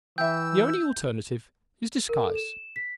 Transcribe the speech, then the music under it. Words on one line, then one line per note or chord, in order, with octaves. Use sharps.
The only alternative is disguise.
E3 E5 G5 E6 G6
A#4
A4
E7
B6